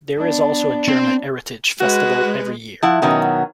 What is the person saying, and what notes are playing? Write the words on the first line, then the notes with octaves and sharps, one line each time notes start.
There is also a German Heritage Festival every year.
B3 D4
C4
G#3 F#4 B4
F3 E4 F#5
B2 D#3 F#3 B3 C#4